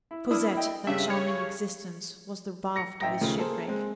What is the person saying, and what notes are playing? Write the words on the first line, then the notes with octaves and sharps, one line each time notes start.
Cosette, that charming existence, was the raft of this shipwreck.
E4
D4 E4 D#6 F6
D#5 G5
G2 C#3 E5
C#5
A#6 C#7
A1 E5 G5 A#5 A#6
D#2 C#3 F3 A3
A#3 G#4 A4 C5
G#3 C4